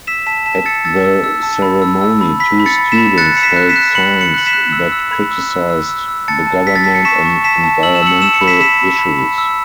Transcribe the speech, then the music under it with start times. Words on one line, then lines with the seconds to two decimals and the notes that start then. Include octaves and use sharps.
At the ceremony two students held signs that criticized the government on environmental issues.
0.07 E6 B6 E7
0.26 A5 B6 E7
0.46 A5 B6 E7
0.66 E6 A6 C#7
0.85 E6 A6
1.04 E6
1.24 E6
1.43 A5
1.62 B5
1.82 E6
2.01 E6
2.21 B5
2.40 B5 B6
2.60 B5
2.66 A6 C#7
2.79 B5
2.92 B6 E7
2.98 B5
3.18 F#6 A6 C#7
3.37 B5 C#7
3.43 B6 E7
3.56 F#6
3.69 B6 E7
3.76 F#6
3.95 B5 C#7 F#7
4.15 B5
4.21 C#7 F#7
4.34 F#6 F#7
4.47 B6 E7
4.53 F#6
4.72 E6
4.92 E6
5.11 B5
5.31 E6
5.50 E6
5.70 E6
5.89 E6
6.08 E6
6.28 A5 A6 C#7
6.47 A5
6.67 E6 B6
6.75 A6
6.84 A5 B6
6.95 C#7
7.05 C#6 B6 E7
7.25 C#6
7.44 A5 B6 E7
7.64 A5
7.83 E6 F#7
7.95 E7
8.02 E6 C#7 F#7
8.22 E6 E7
8.34 C#7
8.41 B5
8.48 B6 E7
8.60 B5 B6 E7
8.80 B5
8.99 B5
9.19 B5
9.38 E6